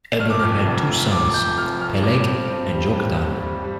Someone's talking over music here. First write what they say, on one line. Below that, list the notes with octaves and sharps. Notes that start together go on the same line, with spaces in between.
Eber had two sons: Peleg and Joktan.
A3 F6
D6
F2 F6
F1
F2
F2 D6
F2 G6
F3 F6
F2 F6
G2 D6
C4
G2
G3
G2
G2
G3
G3